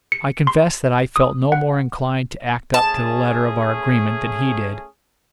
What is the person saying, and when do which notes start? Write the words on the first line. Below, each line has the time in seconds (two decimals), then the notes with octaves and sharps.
I confess that I felt no more inclined to act up to the letter of our agreement than he did.
0.12 C#7
0.47 C6
1.16 D#6
1.52 F#5
2.74 A3 C#4 G#4 A5